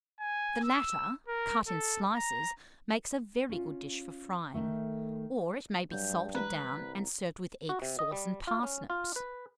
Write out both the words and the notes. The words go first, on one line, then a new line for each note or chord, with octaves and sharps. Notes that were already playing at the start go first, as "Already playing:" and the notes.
The latter, cut in slices, makes a very good dish for frying; or it may be salted down and served with egg sauce and parsnips.
G#5
E6
A#4
A4
A#5
C#4 F4
D#3 A3
G2 F#3 G3 G6
E3 G3 G#3 B4 A#5
C2
F#4
C3
D#5
G3
F4
C#4
F4
B4